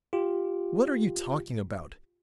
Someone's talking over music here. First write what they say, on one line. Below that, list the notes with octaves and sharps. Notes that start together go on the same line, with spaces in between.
What are you talking about?
F4 G4